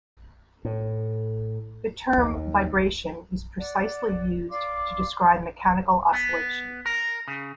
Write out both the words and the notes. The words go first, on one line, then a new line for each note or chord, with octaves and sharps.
The term "vibration" is precisely used to describe mechanical oscillation.
A2
D#2
D5 F#5
D5 F5 C6 D6
B3
A#4
C#3